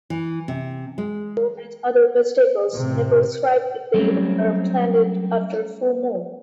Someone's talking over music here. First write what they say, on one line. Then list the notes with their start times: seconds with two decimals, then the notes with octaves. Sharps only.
Taro and other vegetables never thrive if they are planted after full moon.
0.10 E3
0.48 C3
0.98 G#3
2.69 A1 C3
3.94 F#3 G3 A3 C4 C#4